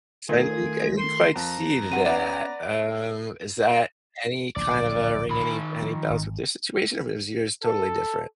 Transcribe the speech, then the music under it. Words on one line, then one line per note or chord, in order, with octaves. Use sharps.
I didn't I didn't quite see that. Um, is that any kind of a ring any any bells with this situation, or was yours totally different?
D#3 A3 F4 G#4 A#4
C6
F2 A#5
C3 F#3 A#4 F#5 D#7
B3 C#4 B4 D5
D1 A#1 D5
D#3 B5
F3
G#1
A4